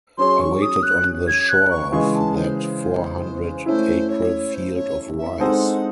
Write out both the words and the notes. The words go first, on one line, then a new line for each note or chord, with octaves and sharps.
I waited on the shore of that four hundred acre field of rice.
F#3 C#4 G#4 C#5 C6
C#6
D#6
F#6
G#6
F#6
C#6
C#3 E3 G#3 C#6
A5
C5
C5
A3 C#4 E4 C5
C#5
C5
C#5
E5
G#3 C4 D#4 A4 C5 F#5